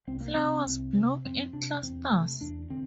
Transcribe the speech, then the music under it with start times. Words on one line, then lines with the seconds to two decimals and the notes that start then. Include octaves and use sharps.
Flowers bloom in clusters.
0.07 C2 C4
0.21 A#3
0.35 C3 C4
0.66 C2
0.95 C3
1.25 F2 C4
1.53 C3 D4
1.82 E2 C4
2.11 C3 A3
2.41 E2 D4
2.70 D3 C4